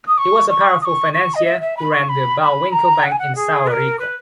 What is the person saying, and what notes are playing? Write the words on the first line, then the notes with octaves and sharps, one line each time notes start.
He was a powerful financier who ran the Bohlwinkel bank in Sao Rico.
D#6
C#6
C#6
D#6
C#6
C#6
D#5
E5
E5
B5
C#6
B5
B5
A#5
F#5
G#5
F#5
G#4
B4
A#4
B4